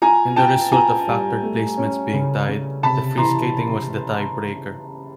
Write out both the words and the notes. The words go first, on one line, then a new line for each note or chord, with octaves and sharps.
In the result of factored placements being tied, the free skating was the tie-breaker.
F4 G#5 A#5
F4 G5 A5
F4 G#5 A#5
G3
A3
C#4
C#3
C#3
C3 A5 B5
E3 A#5 C6